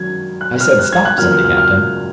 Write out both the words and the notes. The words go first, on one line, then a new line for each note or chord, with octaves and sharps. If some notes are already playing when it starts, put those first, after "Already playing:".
"I said, 'Stop,'" said the Captain.
Already playing: D#3 F#3 C#4 G#6
F#6
F#6
F6
F#6
G#6
F#6
C#3 F#3 A#3 F4 F6
F6
F6
F6